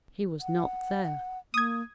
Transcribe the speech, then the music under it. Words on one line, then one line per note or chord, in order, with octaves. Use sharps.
He was not there.
F#5
A#3 D#6 G#6